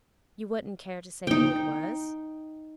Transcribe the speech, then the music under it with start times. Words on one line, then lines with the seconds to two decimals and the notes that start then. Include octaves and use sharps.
'You wouldn't care to say who it was?'
1.27 D#4 G5